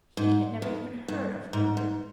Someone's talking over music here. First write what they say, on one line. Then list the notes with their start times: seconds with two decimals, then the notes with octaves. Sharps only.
He had never even heard of Herbert.
0.17 G#2
0.62 F2
1.08 G2
1.53 G#2
1.77 G#2